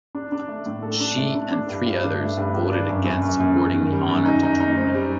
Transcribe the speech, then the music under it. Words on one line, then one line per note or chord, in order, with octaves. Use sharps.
She and three others voted against awarding the honour to Truman.
D4
D4
A3
A2
A4
D4
A3
D4
D4
G2
G2
D4
A3
G2
G2
D4
F#2
F#2
F#2
F#2
F#2
D#3
G3
F#2
D#4
D#4
D#4
C4
G3